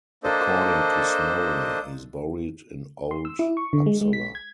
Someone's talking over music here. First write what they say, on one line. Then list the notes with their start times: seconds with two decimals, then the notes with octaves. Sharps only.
According to Snorri, he is buried in Old Uppsala.
0.24 A#3 D4 A4 C5 D#5
3.11 C6
3.25 E6
3.39 E4
3.57 C#6
3.73 D3
3.86 G#3
4.01 G#3
4.13 B6
4.35 G#6